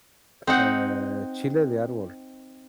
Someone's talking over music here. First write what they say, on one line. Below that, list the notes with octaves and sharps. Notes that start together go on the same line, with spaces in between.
u uh, chile de árbol.
C4 D#4 F#5